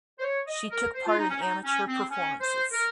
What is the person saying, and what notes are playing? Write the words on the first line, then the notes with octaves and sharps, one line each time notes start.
She took part in amateur performances.
C5
C#5
D#5
A#4
C5
F4
D#4
C#4
D#4
C#4
C4
C#4
C5
A#4